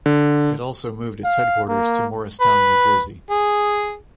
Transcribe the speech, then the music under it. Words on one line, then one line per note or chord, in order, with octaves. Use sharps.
It also moved its headquarters to Morristown, New Jersey.
D3
F5
A#3
B4
G#4